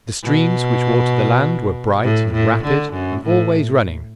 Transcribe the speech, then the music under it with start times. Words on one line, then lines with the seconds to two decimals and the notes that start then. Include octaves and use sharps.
The streams which watered the land were bright and rapid, and always running.
0.23 B2
2.03 A2
2.34 A2
2.63 D3
2.93 F#2
3.24 A2